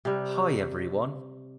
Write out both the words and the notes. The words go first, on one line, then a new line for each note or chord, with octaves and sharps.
Hi everyone.
C3 G3